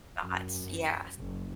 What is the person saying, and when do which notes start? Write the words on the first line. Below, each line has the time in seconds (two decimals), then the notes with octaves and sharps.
Thoughts yeah, s
0.18 F#2
1.20 F#1